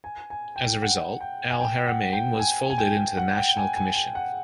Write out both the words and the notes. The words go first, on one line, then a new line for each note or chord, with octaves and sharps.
As a result, Al-Haramain was folded into the National Commission.
G#5
G#5
G5
F#5
G5
G#5
G5
F#5
G5
G#5
G#5
G5
F#5
G5
G#5
G#5
G5
F#5